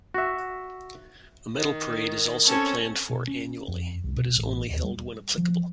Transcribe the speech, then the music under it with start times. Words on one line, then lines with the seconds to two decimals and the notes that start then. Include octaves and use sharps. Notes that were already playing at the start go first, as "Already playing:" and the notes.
A medal parade is also planned for annually, but is only held when applicable.
0.14 F#4 E5
1.55 D#3
2.48 C4 C#4 A4 C#5
3.09 B2
3.27 C#4
3.68 F2
4.04 C2
4.16 B2
4.36 A1
4.71 D#2
4.84 G3
5.38 F3